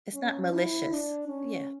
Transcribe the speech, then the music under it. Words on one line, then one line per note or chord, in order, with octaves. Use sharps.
It's not malicious, yeah.
C#4
E4
D4
C#4